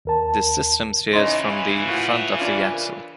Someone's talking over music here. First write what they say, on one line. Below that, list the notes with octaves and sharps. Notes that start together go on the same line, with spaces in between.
This system steers from the front of the axle.
D#2 A#4 A5
C#3 E3 C#4 D#4 C#5 D#5 C6
A2 F4 F#4
D4 F4
A#4